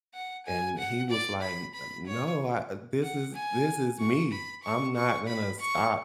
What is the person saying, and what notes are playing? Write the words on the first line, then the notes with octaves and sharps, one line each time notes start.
And he was like, "N n no, uh, this is this is me. I'm not gonna stop,
F#5
G#5
F#5
D5
B5
B5
C#5
F#5
G#5
C#6
B5
C#6
C#6
B5
C#6